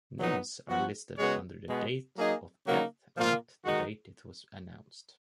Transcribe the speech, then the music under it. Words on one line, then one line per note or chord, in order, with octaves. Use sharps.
Names are listed under the date of death, not the date it was announced.
A#2 F#3 B3 D#4
F3 B3 F#4
C#3 G#3 B3 F#4 C#5
B2 G#3 B3
F#3 A#3 D#4 G#4 D#5
C#3 F#3 A#3 D#4 F#4
A#2 F3 A#3 F4
D#3 G#3 D#4 F#4